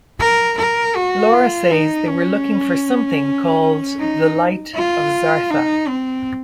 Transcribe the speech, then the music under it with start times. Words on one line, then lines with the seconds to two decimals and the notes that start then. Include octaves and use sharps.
Laura says they were looking for something called the Light of Zartha.
0.20 A#4
0.58 A#4
0.96 F#4
1.33 F4
1.72 D#4
2.09 C#4
3.99 D#4
4.75 F4
5.50 D#4
5.88 C4